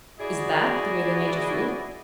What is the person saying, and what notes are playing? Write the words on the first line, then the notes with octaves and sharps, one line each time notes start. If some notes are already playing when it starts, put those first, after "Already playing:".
"Is THAT the way they made you feel?"
E4 F#4 G#4 D5 D#5